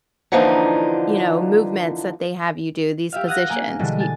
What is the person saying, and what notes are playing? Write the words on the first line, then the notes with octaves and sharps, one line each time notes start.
you know, movements that they have you do, these positions, y
D3 E3 F3 A#3 D4 D#4
G4 E5 F5
F5 F#5 D#6 F#6 G#6 A#6
A#3 A#4 G#5 D#6
B2 D3 E3 G3 G#3
G#5 A6